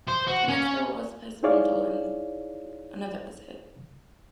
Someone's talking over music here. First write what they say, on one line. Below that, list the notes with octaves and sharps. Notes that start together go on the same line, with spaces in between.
The next day, Wallace pays Wendolene another visit.
C5
F#4
C#4
D#4 E4 G#4 C#5 D5 F5